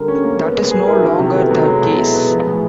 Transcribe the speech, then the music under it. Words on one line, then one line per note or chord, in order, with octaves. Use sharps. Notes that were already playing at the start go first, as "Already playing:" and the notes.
That is no longer the case.
Already playing: D3 G3 A4 A#4
C#4
A#3
B3
G#3
G#4 B4
E4 A#4
D#3 F#4
C3 G4
B3 A4
F#3
G#3
B2
E4 G#4
B3
F3
A2
G#4